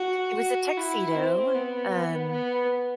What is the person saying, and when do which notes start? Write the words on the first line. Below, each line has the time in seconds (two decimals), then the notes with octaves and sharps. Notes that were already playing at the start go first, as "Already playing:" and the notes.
It was a tuxedo, um
Already playing: F#4
0.39 F#4
0.77 E4
1.15 C4
1.54 B3
2.31 B3